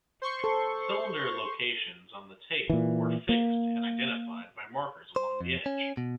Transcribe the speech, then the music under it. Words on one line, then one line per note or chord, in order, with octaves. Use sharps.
Cylinder locations on the tape were fixed and identified by markers along the edge.
C5 C6 C#6
A4
A#2 E3
A#3
C5
F2
C#4
B2